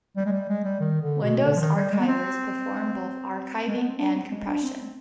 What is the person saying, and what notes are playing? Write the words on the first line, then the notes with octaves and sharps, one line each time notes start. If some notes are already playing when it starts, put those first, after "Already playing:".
Windows archivers perform both archiving and compression.
G3
G#3
G3
G#3
G3
D#3
D3
B2
D3
F3
D#3
G3
G#3
B3
C4
G#3
B3
C4
D4
C4
G#3
D4
C4
C4